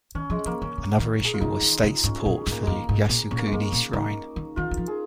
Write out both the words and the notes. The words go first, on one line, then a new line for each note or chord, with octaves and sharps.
Another issue was state support for the Yasukuni Shrine.
D#3 C#4
F3 G#3
F3 A#3
D#3 C#4
C#3
D#3
A#2
G#4
F4
C#3 D#4
D#3
C#3
G#2 C#4
G#4
A#2
C#4
G#2
A#3
F2 G#3 A#3
G#2
A#2
A#2 C#4
A#3
G#3
G#2 A#3
A#2
C#3 D#4
D#3
D#3 F4
D#3
F3
G#4